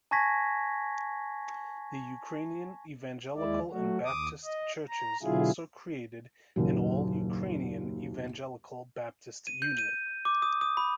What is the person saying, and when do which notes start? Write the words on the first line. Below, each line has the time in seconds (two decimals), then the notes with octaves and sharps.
The Ukrainian Evangelical and Baptist churches also created an All-Ukrainian Evangelical-Baptist Union.
0.11 G#5 A5 C#6 G#6 A#6 B6
3.37 D#2 G#3 E4 D5
3.71 F#3 A3 F#4
4.05 D#2 D6 D#6
4.44 D#5
4.89 A#5
5.23 B2 D3 F#3 E4 F4 G#4
6.56 F#1 D#2 A#2 F#3
9.47 D#7
9.62 G6
9.78 D#7
10.25 D6
10.42 D#6
10.61 D#6
10.77 B5